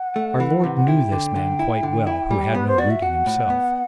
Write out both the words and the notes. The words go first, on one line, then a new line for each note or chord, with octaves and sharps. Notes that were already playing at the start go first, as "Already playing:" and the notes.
Our Lord knew this man quite well who had no root in himself.
Already playing: F#5
A3
E3
C3
F#5
E4 G5
D3
D3
E4
D3
E4
G3
B3 B4
C5
F#4 D5
E5
F#4 F#5
A2
B3